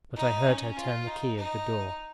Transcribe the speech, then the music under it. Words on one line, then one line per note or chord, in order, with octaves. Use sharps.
But I heard her turn the key of the door.
D#4
C#4
F4
D#4
D#4